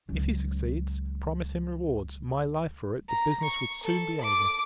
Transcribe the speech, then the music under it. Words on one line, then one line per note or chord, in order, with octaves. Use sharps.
If he succeeds, promise him rewards; my life for it, the business would soon be over.
C#2 F#3
A#5
C#6
A4
D6